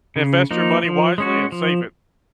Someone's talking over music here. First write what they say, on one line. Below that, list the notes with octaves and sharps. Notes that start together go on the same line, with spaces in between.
invest your money wisely and save it.
C#3
F3 A#3 D#4
F3
G#3 C#4 F#4
F3